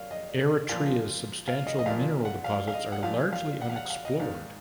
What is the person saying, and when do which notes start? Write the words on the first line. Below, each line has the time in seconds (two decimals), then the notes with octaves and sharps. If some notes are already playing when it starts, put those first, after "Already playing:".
Eritrea's substantial mineral deposits are largely unexplored.
Already playing: F#2 F5
0.11 D#5
0.69 A#2 F3 F5
1.48 F5
1.67 D#5
1.79 D#5
1.86 A#2 F3 F5
2.25 F#5
2.44 F5
2.68 F5
2.74 D#5
2.92 F#5
3.03 A#2 F3 F5
3.33 F5
3.62 F#5
3.70 F5
3.76 F#5
3.90 F5
4.05 D#5
4.20 G#2 D#3 F5